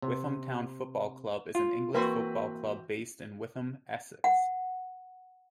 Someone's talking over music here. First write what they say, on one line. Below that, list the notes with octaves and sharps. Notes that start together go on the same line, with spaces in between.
Witham Town Football Club is an English football club based in Witham, Essex.
C3
F4
E3 A#3 C4 F#4 B4
F#5